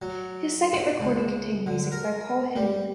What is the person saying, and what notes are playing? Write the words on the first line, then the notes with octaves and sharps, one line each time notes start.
His second recording contained music by Paul Hindemith.
F#3
B2
C#2
D3
A#4
G3